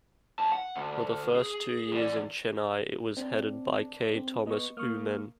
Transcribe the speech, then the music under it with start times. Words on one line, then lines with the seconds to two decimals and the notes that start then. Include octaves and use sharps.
For the first two years in Chennai it was headed by K Thomas Oommen.
0.39 E2 A5
0.52 F#5
0.76 D2
1.36 G#4
1.92 E3 D5
3.17 C4 D4
4.15 C4
4.47 B3 D#5 C#6
4.77 A#3 C#6 D#6 F6